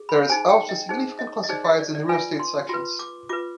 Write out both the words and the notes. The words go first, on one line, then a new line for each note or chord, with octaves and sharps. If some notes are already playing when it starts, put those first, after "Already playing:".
There is also a significant classifieds and real estate sections.
Already playing: G#4
B5
D#4 G#4 C5 G#5
G5
D#5
D#4 G#4 C5
D#5
D#5
D#4 G#4 C5 D5
D#5
D5
D5
F4 B4 G#5
C6
F4 B4 C6
D6
F4 B4 D6